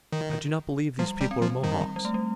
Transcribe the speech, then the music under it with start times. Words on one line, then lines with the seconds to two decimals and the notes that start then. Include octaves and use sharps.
I do not believe these people are Mohawks.
0.12 D#3
0.99 F3 G3
1.21 G3
1.31 C4
1.42 F3
1.63 D#3 G3
1.96 G3
2.05 A3
2.14 G3